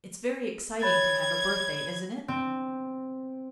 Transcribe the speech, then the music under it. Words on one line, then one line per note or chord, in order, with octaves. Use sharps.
It's very exciting to have a birthday, isn't it?
C#5 B5 G#6 A6
C4